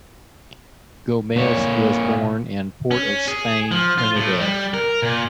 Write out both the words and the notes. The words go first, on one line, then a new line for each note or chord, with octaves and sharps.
Gomez was born in Port of Spain, Trinidad.
A#2 C#5
C#4
G#4
F3
F4
A2
G3
A#4
A#2